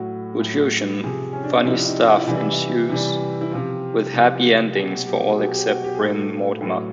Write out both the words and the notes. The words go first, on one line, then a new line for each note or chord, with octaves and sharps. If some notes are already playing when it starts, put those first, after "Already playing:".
Wodehousian funny stuff ensues, with happy endings for all except Bream Mortimer.
Already playing: A2 F#3 F#4
A2 F#3
C3 F3 G#4
C#4
D4
D#4
C3 F3 E4
D#4
F4
E4
C3 E3 G3 D#4
E4
C3 E3 G3
E4
C3 F3 F4
C3 F3
B2 F#3 G4
G4
G#4
B2 F#3 G4
G4
F#4
G4
G#4
A2 F#3 A4
A2 F#3